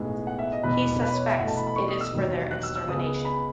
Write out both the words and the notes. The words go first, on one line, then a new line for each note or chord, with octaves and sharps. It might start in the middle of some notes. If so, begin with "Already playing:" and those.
He suspects it is for their extermination.
Already playing: B1 A2 G#3 B3
F#5
E5
D#5
E1 E2 B2 B4
B4
C#5
E5
E1 E2 B2 A3 F#5
A5
B5
B5
C#6
D#6
E6
E1 D#2 D#3 F#3
F#6
E6
E6
C#2 C#3 G#3 B3 D#6
D#6
B5